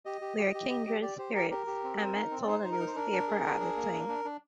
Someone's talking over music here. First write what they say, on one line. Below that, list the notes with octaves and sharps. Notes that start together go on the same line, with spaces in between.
"We're kindred spirits", Emmett told a newspaper at the time.
G4 D#5
G4
G4
G4
G4
G4
G4 D5
G4 C5
G4 A#4
G4 A#4
G4
C4
C4
D#4
C4
D5
D#4 C5
D#4
A#4
D#4
C5
D4 A#4
D4
G#4
D4
G#4
A#3
D4
D4
D4